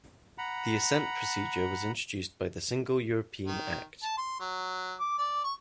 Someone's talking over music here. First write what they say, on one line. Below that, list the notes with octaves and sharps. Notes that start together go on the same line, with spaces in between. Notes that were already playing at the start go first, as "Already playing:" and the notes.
The assent procedure was introduced by the Single European Act.
F#5 A#5 B5
D#3
A5
C6
F#3
D6
D5
C#6